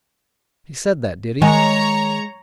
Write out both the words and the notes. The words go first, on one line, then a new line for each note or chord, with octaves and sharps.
"He said that, did he?"
D#3 G#3 C#5 A#5